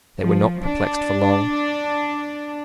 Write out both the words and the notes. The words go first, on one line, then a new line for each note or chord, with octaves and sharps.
They were not perplexed for long.
F3
D4